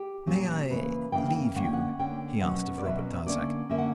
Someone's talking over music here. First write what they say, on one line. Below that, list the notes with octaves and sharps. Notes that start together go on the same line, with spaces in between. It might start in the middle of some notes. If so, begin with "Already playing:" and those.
"May I leave you?" he asked of Robert Darzac.
Already playing: G4
A#2 F#3 A#3 C#4
C#3 E3 A#3 B4
C#3 E3 A#3 G5
G5
D3 A#3 C#4 F#5
G5
F#5
D3 A#3 C#4 G5
B2 F#3 C#4 F#5
D5
B2 F#3 C#4 E5
D3 A#3 C#4 D5
D3 A#3 C#4 E5
F#5